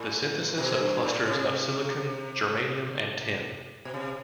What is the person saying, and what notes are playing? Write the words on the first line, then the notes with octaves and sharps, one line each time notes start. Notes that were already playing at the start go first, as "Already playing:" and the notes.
The synthesis of clusters of silicon, germanium, and tin.
Already playing: A2
B2
G2
A2
C3
B2
C3